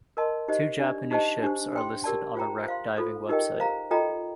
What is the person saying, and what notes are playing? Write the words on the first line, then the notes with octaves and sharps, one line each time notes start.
Two Japanese ships are listed on a wreck diving website.
A#4 D#5 A5 C6
D#4 G4 C5 D#5
D4 G4 D5
D#4 G4 C5 D#5 A5
D4 G4 C5
C5 G5 C6
G4 A#4 D5 A5
F4 C5 G5 A#5
C5 F5 C6
F4 A4 C5
D#4 G4 A#4 D#5 G5
C5 F5 A#5
F4 A4 D#5 G5 A#5